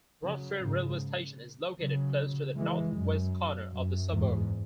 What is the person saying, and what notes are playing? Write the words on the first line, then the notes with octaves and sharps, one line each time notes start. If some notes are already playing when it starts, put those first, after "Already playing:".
Redfern railway station is located close to the north-west corner of the suburb.
C#3 F#3
G#2 C#3
C#3 F#3
E3 G#3
F#2
F#2
E2 G#2